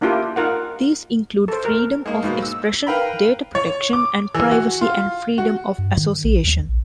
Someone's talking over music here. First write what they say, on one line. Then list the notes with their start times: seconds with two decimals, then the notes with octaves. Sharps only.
These include freedom of expression, data protection and privacy and freedom of association.
0.01 A#3 D4 E4 F4 G4
0.36 D#4 F4 A#4 F#5
1.48 A4 C5
1.65 A#4
2.06 G#3 A#3
2.23 G#2 B2 A#3
2.42 E6
2.87 A#4 B4 F5 G5 A#5 B5
3.55 C#5
3.93 D6
4.35 E3
4.51 F#4
4.81 F4
5.38 F#4
5.78 G2
5.97 D#3
6.24 A#1
6.44 D#2
6.69 A#1